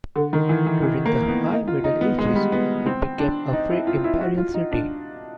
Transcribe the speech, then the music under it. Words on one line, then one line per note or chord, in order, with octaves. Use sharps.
During the High Middle Ages, it became a Free Imperial City.
D3
D#3
E3
E3
E3
A#3
B3
D#4
F4
D#4
B3
G#3
G3
B3
C4
D4
D#4
E4
F4
E4
F#4
F4
D#4
D4